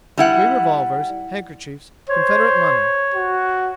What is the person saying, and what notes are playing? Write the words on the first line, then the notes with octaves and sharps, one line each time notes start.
Three revolvers, handkerchiefs, Confederate money....
G3 E4 F#5
C5 C#5
F#4